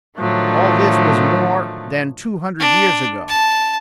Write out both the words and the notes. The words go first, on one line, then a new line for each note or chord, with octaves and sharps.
All this was more than two hundred years ago.
A2 D3 D#3 F3 F#3 A3
D4
A5